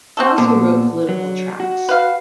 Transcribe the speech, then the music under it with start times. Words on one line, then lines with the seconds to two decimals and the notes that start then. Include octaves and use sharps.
He also wrote political tracts.
0.17 C4 F#4 A4
0.38 A#2 D3 B3 A4
1.09 F#3
1.60 F#4
1.89 B4 F5